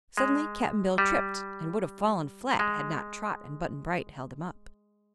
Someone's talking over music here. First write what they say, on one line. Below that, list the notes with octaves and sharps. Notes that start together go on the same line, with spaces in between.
Suddenly Cap'n Bill tripped and would have fallen flat had not Trot and Button-Bright held him up.
G#3
G3
G#3